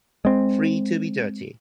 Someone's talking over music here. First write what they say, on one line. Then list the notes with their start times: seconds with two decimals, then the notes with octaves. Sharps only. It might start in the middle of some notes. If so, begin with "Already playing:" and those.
Free to Be Dirty!
0.25 G#3 C4